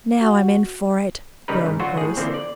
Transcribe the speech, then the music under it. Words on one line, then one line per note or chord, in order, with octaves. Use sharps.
"Now I'm in for it," groaned Grace.
F#4
C#3 G3 D#4 A#4 B4
G#2
D3 F#3 F4 F#4 C5
A2 G#4
D3 E3 F3 A#3 C4
D5